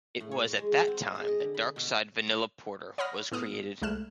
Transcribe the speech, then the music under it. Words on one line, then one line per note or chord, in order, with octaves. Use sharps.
It was at that time that Dark Side Vanilla Porter was created.
A2
C#5
A#5
G#3
F#4
C4
D#5
G#4
D#5
D3
B5
B2
C#5 F#5 B5 D#6 F6 A#6
A2 B3 D#6 F6
C2 G#3 A3 F6 F#6 E7